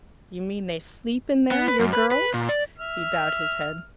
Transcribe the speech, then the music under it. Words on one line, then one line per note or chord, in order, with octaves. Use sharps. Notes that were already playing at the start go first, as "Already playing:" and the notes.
"You mean they sleep in there,--your girls?" He bowed his head.
B3
B4
F#2
B4
B4
A#2
D5
E5 F6